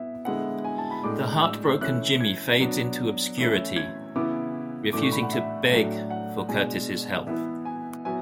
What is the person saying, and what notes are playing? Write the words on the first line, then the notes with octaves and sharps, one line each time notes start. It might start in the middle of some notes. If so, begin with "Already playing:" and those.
The heartbroken Jimmy fades into obscurity, refusing to "beg" for Curtis' help.
Already playing: B3 E4 E5
D3 G#3 B3 E4 F#5
G#5
A5
B5
A2 G#3 D4 D6
E6
E3 A3 C#4 E4 F#6
G#6
F#3 B3 D4
E3 A3 C#4 E4
G#6
C#3 E3 B3 E4 D6
A2 E3 A3 D4 D6
C#6
B5
F#5
E5
A2 F#3 A3 D4 E5
F#5
B2 G#3 D4 G#5
E3 B3 E4 E5
G#5
F#3 B3 E4 G#5